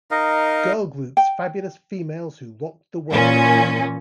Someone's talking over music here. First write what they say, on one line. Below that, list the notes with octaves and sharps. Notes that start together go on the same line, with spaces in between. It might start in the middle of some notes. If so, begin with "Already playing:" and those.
Girl Groups-Fabulous Females Who Rocked The World.
D#4 A#4 D#5 F5
G5
A#2 E3 C#4